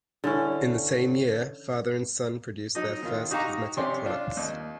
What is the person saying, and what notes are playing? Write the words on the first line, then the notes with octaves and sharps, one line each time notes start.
In the same year father and son produced their first cosmetic products.
D3 E3 C#4
F#3 D#4 D#5
B2 D#3 F4
D#4 F#4 G4 F5 A#5 C#6
C3 C#4 G4 C#5 D5 C6
D4 F4
D#2